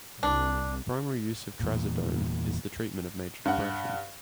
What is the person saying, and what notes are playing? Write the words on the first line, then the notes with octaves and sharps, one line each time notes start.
The primary use of trazodone is the treatment of major depression.
C2 D4
E2 A#2
G2 F#5